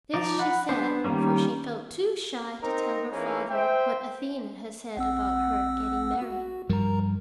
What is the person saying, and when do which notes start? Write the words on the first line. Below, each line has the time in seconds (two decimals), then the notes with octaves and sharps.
This she said, for she felt too shy to tell her father what Athene had said about her getting married.
0.14 F3 D#4 D5
0.39 F#5 B5
0.69 B3 D4 C5
1.05 D#3 G3 A3 A#3 C#4
2.62 C4 D#4 A#4
3.11 E3 A#3 C#4 D#4 G#4
3.50 C5 E5 G5
4.97 A#1 C4 F#5 E6
6.22 F#4
6.69 G2 F3 G3 A#4 A#5